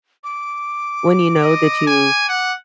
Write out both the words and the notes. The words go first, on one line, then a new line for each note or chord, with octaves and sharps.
when you know that you
D6
D#5
G#5
F#5